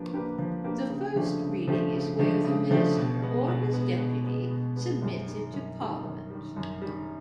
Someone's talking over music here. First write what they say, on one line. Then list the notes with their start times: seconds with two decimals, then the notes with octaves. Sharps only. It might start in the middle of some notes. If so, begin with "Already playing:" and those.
The first reading is where the minister or his deputy submits it to Parliament.
Already playing: F3 A#3 D4 G4 B4
0.13 A#3 D4 G4 B4
0.38 F3
0.64 A#3 D4 G4 B4
0.90 C#3
1.16 F3 A3 D4 G4
1.42 C#3
1.68 F3 A3 D4 G4
1.93 C#3
2.19 F3 A3 D4 G4
2.44 C#3
2.71 F3 A3 D4 G4
2.97 B2
3.22 G#3 B3
3.48 B2
3.73 G#3 B3
3.99 B2
4.24 G#3 B3
4.50 B2
4.76 G#3 B3
5.02 F#2
5.28 D#3 G3
5.54 F#2
5.79 D#3 G3
6.05 F#2
6.30 D#3 G3
6.56 F#2
6.82 D#3 G3